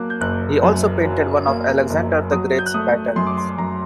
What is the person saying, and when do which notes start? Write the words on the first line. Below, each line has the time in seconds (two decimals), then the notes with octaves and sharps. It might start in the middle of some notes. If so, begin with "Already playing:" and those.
He also painted one of Alexander the Great's battles.
Already playing: F#3 A#3 A5 D6 F#6
0.10 G6
0.21 F#1 F#6
0.63 F#2
1.05 F#3
1.47 A#3
1.90 F#1
2.32 F#3 D#6
2.59 G6
2.66 F#6
2.74 A3 D#6
3.16 F#2 C6
3.27 D6
3.38 C6
3.58 F#2 A#5